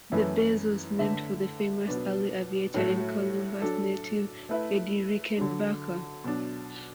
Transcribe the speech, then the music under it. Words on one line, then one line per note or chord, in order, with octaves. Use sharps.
The base was named for the famous early aviator and Columbus native Eddie Rickenbacker.
F#2 E3 A3 E4 B4
D3 A3 D4 B4 E5
B2 F#3 B3 D4
A2 F#3 A3 F#4
F#3 D4 A4
A3 E4 B4 E5
D3 F#3 D4
B2 F#3 D4